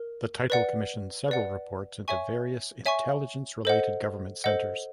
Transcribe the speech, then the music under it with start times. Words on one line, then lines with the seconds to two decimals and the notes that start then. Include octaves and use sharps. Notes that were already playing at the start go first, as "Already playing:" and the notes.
The title commissioned several reports into various intelligence-related government centers.
Already playing: A#4
0.50 B4 D5 F#5
1.28 B4 D5 F#5
2.08 C#5 E5 G#5 C#6
2.86 C#5 E5 G#5 C#6
3.65 A4 C5 D#5 F#5
4.44 A4 C5 D#5 F#5